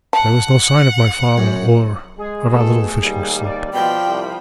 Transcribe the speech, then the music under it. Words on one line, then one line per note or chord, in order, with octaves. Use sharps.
But there was no sign of my father or of our little fishing sloop.
F#5 A5
F#2
G#3 G#4
B2 A3 A4
D#2 G3
D5
B2 F3 G5 B5
C2